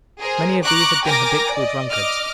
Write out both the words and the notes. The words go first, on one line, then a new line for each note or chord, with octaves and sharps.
Many of these had been habitual drunkards.
G#4 A#4 C5
A#5 C#6 D6 F#6
A#4 G5 G#5 D6 A#6
D5 D#5
D#5 D6 F6